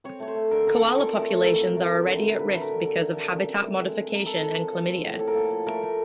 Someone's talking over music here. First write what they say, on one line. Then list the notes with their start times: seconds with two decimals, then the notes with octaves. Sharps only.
Koala populations are already at risk because of habitat modification and chlamydia.
0.04 C4 C#5
0.20 A3 C#5
0.27 C5
0.35 A3
0.51 D3 A#4
0.67 D3 A#4
0.75 A4
0.82 C4
0.98 F3 A#4
1.13 A3
1.22 A4
1.29 A3
1.44 A2 A#4
1.61 F3
1.76 A3
1.91 F#3
2.07 D3
2.23 D3
2.39 D3 B4
2.54 A3 B4
2.61 A#4
2.70 D3
2.85 C4 A#4
3.01 A3
3.16 F#3
3.32 C#3
3.47 C4
3.64 A3
3.79 G#3
3.95 C4
4.09 C4
4.15 A#4
4.26 G#3 A4
4.41 F3
4.56 F3
4.73 F3
4.89 A#3
5.04 A2
5.19 A2 A4
5.27 A#4
5.35 A#3 A4
5.50 F3
5.67 A3 A#4
5.82 A3